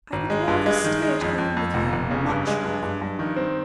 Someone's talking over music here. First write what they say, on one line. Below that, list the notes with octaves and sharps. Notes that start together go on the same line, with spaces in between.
'I would rather stay at home with you,--much rather, mamma.'
G#1
G#3
G2
G#3
D#3
G#3
F2
F2
F2
F1
F1
C#3
G2
G#3
G2
G2
G2
D#3
C4